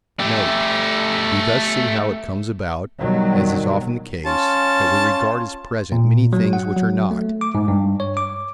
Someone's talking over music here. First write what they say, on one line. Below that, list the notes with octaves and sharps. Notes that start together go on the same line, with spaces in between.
Note.--We thus see how it comes about, as is often the case, that we regard as present many things which are not.
A3 G4
B2 D#3 F#3 G3
C#4 F4 A5
A#2
F#3
F#5
F#3
A3
D6
G#2
G2
C#5
D6